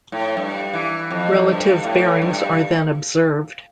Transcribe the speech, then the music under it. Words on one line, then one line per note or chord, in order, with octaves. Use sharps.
Relative bearings are then observed.
A2
G2
E3
F2
G2
A2
G2